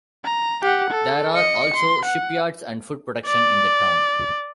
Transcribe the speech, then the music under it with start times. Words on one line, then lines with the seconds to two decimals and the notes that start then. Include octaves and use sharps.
There are also shipyards and food production in the town.
0.25 A#5
0.62 G4 F#5
0.91 A4
1.34 D#5 C#7
1.74 C6
2.06 F#5
3.27 D5